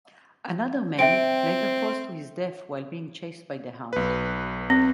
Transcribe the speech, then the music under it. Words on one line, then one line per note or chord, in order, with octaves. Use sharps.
Another man later falls to his death while being chased by the hound.
C4 E5 G5 D7
B1 B4
C4